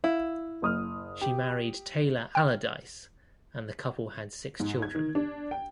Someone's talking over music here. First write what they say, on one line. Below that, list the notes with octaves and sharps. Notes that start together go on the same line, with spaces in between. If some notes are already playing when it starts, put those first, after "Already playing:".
She married Taylor Allerdice and the couple had six children.
E4 F5
F#1 D#6 F6
G4
G5 F6
G#2
G#6
D#3
D4
G5